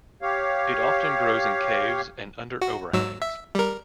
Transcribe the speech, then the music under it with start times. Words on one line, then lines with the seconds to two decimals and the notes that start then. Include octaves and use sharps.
It often grows in caves and under overhangs.
0.22 G4 C#5 F5
2.61 F#4
2.93 G#2 F#3 E6
3.22 E5
3.55 G3 A#4